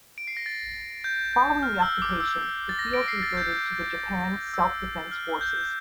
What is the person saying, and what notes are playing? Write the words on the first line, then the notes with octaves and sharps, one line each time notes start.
Following the occupation, the field reverted to the Japan Self-Defense Forces.
D7
C7
A#6
A6
G6
G6
F6
E6
D6
E6
A6
A#6
A#6 D7
C7
A6
G6
E6
F6
G6